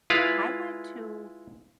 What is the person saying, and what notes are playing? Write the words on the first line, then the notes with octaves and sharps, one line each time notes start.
I went to
G#3 E4 F4 B4 F5